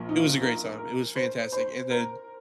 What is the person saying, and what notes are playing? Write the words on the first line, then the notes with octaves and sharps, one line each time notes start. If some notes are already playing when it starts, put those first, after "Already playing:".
It was a great time. It was fantastic, and then
Already playing: A#1 F3 A#3
D#4
F4
A#4
A#4
C5
C5
A#4